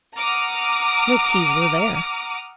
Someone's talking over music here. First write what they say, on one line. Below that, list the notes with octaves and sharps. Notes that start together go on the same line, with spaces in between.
No keys were there.
F#5 A#5 D6 D#6 F6